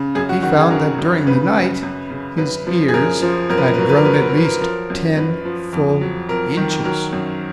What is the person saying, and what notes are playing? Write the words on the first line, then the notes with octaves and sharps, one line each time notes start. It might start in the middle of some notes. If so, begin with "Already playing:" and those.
He found that, during the night, his ears had grown at least ten full inches!
Already playing: C#3
F#2 G#4
F#4
D#3 F#4
G#4
F#3 A#4
F#2
C#3 B4
F#2
F#2
C#3
F#2 B4
F3
G#4
F#2 A#4
F3
F#2 A#4
B4
A#4
B4
F#3 A#4
B4
A#4
F#3 B4
A#4
B4
A#4
F#3 B4
A#4
F3 A#4
F#2
F#2 B4
F3
F2
F#3
F2 A#4
D#3
F#3 A#4
F#2